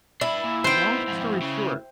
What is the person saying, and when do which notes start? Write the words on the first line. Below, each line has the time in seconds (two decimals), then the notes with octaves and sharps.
long story short,
0.21 D4 E4 B4
0.44 A#2
0.64 B3 D#4 C5 G5
1.07 F2 G#2
1.42 C#3